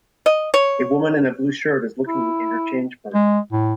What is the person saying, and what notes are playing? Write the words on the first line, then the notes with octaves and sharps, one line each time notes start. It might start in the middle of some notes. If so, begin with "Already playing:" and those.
A woman in a blue shirt is looking in her change purse.
D#5
C#5
E4
G#3
A2